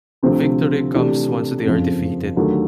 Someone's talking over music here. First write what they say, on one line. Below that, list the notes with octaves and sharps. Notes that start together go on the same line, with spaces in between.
Victory comes once they are defeated.
D2 C3 F3 A3 C4
C3 E3 A3 D4 G4
F#1 F2 C#3 F3
D#2 D3 F#3 A3